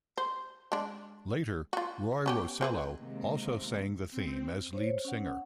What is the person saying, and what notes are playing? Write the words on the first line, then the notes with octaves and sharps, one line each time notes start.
Later, Roy Rosello also sang the theme as lead singer.
C5
G#3 D4
F4 F#4
B3 C#4 G4
C4 G#4 B4
C3 D#3 G#3 A#3
C4
C5 C#5
C#4 F#5